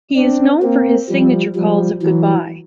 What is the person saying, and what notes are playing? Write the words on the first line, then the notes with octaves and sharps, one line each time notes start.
He is known for his signature calls of Goodbye!
C4 D4
A#3 C4
F3 G3
F3 G3
E3 F#3